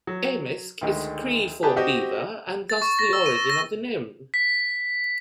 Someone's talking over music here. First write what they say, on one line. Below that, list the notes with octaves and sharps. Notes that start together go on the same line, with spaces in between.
Amisk is Cree for Beaver and thus the origin of the name.
F#3
D2 D3 D#3 G#3
G4 G#4 B4 D5 A5
C4 F#4 G4 D#5
A6
C#6
A#6
E6
D#7
A#6
B6